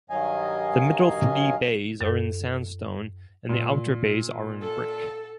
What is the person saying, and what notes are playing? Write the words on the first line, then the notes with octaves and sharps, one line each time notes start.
The middle three bays are in sandstone and the outer bays are in brick.
G2 D#3 F#3 D#5 F5 G#5
F#2 A4
A#2
A4 A5